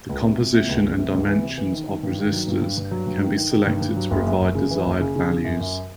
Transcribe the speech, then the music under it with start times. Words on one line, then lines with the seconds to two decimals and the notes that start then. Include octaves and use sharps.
The composition and dimensions of resistors can be selected to provide desired values.
0.09 C#2
0.24 C3
0.39 C3
0.54 C3
0.69 C#2
0.83 C#2
0.98 C3
1.13 C#2
1.28 E3
1.43 C3
1.58 E3
1.73 D#3
1.88 D#3
2.03 G2
2.18 D#3
2.32 F#3
2.48 G2
2.62 G2
2.78 G2
2.91 F#3
3.07 G2
3.22 D#3
3.37 D#3
3.51 D#3
3.67 G2
3.81 G2
3.96 F#3
4.11 F#1
4.26 F#2
4.41 F#1
4.55 C#3
4.71 E3
4.86 F#1
5.01 C#3
5.16 C#3
5.30 C#3
5.45 F#2
5.60 F#2